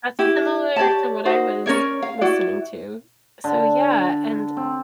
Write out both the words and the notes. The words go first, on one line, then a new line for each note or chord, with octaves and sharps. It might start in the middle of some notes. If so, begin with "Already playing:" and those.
That's similar to what I was listening to. So, yeah. And,
E4 G4
G4 C#5 D5 A5
D#4 F#4 C5
C#4 A#4 C#5 D5
F5
E4 F#4 D5
D3
C4